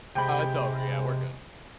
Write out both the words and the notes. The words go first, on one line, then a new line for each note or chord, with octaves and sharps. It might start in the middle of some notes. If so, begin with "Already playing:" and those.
Oh, it's over, yeah, we're good.
C3 G#3 G5 B5